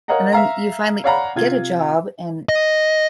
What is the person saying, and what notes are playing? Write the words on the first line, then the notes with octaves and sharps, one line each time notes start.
and then you finally get a job, and
A#4 C#5 D#5 F5 F#5 A#5
E5 F5 A#5
C#5 D5 F5 F#5 A#5 B5
C3 F4 G#6
D#5